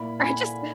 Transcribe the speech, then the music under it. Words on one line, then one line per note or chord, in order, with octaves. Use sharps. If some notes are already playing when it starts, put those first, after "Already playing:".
I just
Already playing: A#2 A#3 E4 B5
G#5 B5